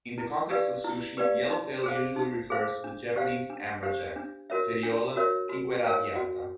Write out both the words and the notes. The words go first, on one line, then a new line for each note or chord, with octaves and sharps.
In the context of sushi, yellowtail usually refers to the Japanese amberjack, "Seriola quinqueradiata".
E4
G4 B4 D5 F5
E4
G4 B4 D5 F5
D#4
G#4 C5 F5
D#4
G#4 C5 F5
D4
G4 C5 F5
D4
G4 C5 F5
D4
F#4 A#4 C#5 E5
D4
F#4 A#4 C#5 E5
F#4
A#4 C#5 F5
F#4